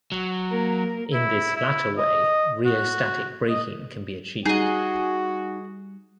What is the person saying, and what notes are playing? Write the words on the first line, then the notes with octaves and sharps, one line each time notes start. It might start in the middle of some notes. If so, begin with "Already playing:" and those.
In this latter way "rheostatic" braking can be achieved.
F#3
A#3 A#4
E4
E4
D#5
F#4
D#5
G3 D#4 F#4 G#4 D#5